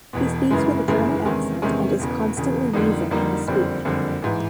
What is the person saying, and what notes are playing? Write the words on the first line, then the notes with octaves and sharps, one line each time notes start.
He speaks with a German accent, and is constantly wheezing in his speech.
E1 E2 B2
G1 F#2 C#3 E3 G#3
G1 F#2 C#3 E3 G#3
E2 C3 D#3 G#3 C#4
E2 C3 D#3 G#3 C#4
E1 E2 C#3
E1 E2 C#3
F2 D3 G3 A#3 D#4
F2 D3 G3 A#3 D#4
F#1 F2 D3 G3 C4
F#1 F2 D3 G3 C4
A1 G#2 E3